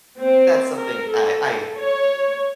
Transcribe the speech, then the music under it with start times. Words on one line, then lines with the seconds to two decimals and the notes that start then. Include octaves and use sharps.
that's something I I
0.19 C4
0.77 A#4
1.11 A4
1.78 C#5